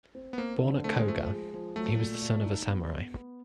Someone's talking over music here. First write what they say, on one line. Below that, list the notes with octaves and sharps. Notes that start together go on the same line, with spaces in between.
Born at Koga, he was the son of a samurai.
C4
B3
A#3 C4
D3
A3 C4
G#3
F3 A3
G#3
F3
F#3 A3
A#2
A#2
D#4
B3
B3
B3